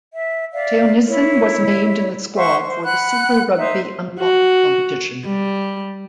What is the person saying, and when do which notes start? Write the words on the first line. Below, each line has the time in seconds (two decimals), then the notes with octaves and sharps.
Theunissen was named in the squad for the Super Rugby Unlocked competition.
0.12 E5
0.52 D5 E5 F5
1.07 E4 C#5
2.36 C5 E5 F#5 C#6
2.67 C5
2.84 F#5 B5 F#6
3.57 D#4 C5 E5
4.19 F#4
5.25 G3